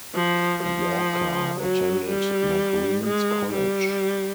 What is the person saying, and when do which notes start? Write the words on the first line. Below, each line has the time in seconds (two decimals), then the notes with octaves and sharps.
Walker attended Macleans College.
0.15 F3
0.63 F3
1.60 F#3
2.08 G3
3.04 G#3
3.53 G3